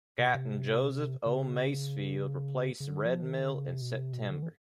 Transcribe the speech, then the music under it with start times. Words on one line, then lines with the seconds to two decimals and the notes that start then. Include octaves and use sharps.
Captain Joseph O. Masefield replaced Redmill in September.
0.19 C3
0.27 B2
0.35 C3
1.26 C#3
2.80 C#3
2.88 D3
3.05 F3
3.22 D#3
3.41 D3
3.53 C#3
3.68 C3
3.81 B2
3.95 C3
4.13 B2
4.30 D3
4.43 E3